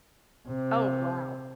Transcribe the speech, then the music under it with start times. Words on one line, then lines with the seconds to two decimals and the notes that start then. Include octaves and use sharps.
Oh, wow.
0.47 C3